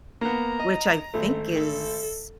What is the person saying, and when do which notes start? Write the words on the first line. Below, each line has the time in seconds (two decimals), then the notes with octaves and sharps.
Which I think is
0.21 A#3 B3 A#5
0.60 D#5
1.14 G#1 A3
1.55 A4